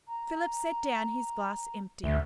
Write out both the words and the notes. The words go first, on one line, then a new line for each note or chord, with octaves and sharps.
Philip set down his glass empty.
A#5
D2 E5